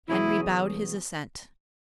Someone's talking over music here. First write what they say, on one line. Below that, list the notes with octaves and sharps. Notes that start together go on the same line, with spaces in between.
Henry bowed his assent.
E2 B2 F#3 C#4 E4 G#4